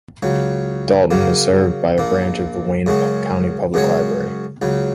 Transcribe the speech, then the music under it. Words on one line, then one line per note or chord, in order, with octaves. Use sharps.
Dalton is served by a branch of the Wayne County Public Library.
C#2 C#3 F#3
C#3 F#3 A#3
A#1 A#2 A#3
F#2 C#3 G#3 F#4
F#2 C#3 G#3 F#4 C#5
C#2 C#3 F#3